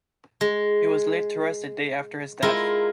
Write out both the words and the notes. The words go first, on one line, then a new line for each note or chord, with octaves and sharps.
He was laid to rest a day after his death.
G#3
G#3 E4 F4 A#4